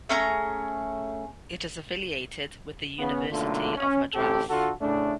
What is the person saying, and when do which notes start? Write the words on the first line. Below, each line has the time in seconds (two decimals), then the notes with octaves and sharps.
It is affiliated with the University of Madras.
0.09 A3 C#4 G#4 A#5
2.99 C#3 B3
3.31 B1 D3 A3 A#3 D4 F4
3.77 C#4
4.15 A1 D2 C4 G4 A4
4.50 D3 F4 F#4 A4
4.81 A2 C#3 A3 D4